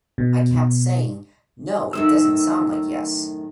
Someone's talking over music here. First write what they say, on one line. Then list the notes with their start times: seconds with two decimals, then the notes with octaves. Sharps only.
I kept saying, 'No, it doesn't sound like Yes.
0.18 B2
1.93 F#2 A2 D#3 E6